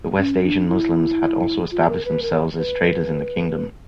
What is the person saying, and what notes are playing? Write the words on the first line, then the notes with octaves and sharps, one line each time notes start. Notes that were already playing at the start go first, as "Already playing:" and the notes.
The West Asian Muslims had also established themselves as traders in the kingdom.
C#4
D4
E4
F4
A#4
B4
A#4
B4